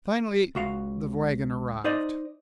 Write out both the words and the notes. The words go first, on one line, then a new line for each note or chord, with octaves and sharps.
Finally the wagon arrived.
C#2 F#4 F5
D#4 C5 D5 D#5